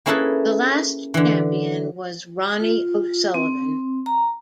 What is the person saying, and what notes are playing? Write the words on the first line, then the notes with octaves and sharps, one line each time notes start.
The last champion was Ronnie O'Sullivan.
A#3 C#4 E4 G#4 A4 B4
D3 E3
F4
C4
A#5